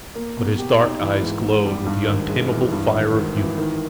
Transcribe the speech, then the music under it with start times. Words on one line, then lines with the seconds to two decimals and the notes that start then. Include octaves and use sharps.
But his dark eyes glowed with the untamable fire of youth.
0.15 A#3
0.37 B2
0.58 G4
0.79 D#4
1.01 E3
1.22 G#2
1.43 G#2
1.65 G3
1.86 G2
2.08 G#1
2.29 G#3
2.51 E3
2.72 G2
2.93 G#1
3.15 G#1
3.36 E3
3.57 D#3